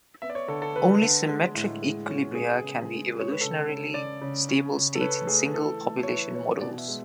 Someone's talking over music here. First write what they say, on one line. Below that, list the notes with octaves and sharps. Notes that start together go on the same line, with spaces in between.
Only symmetric equilibria can be evolutionarily stable states in single population models.
B3 E5
D5
C#5
D3 A4
A4
D3 B4
D3
G#3
A2
G#3
C#4
B3 G#4
C#3
G#3
G#3 C#5
B4
C#3 A4
C#3
C#3 D5
C#3
C#4
C#3
A4
C#4 B4
A3 G#4
E3 A4
A3
C#5
E3 B4
E3 C#5
B2 D5
E5
G#3